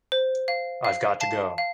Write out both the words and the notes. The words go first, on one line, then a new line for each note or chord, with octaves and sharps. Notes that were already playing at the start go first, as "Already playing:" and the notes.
I've got to go.
C5
F5
F5
F5 A5
F5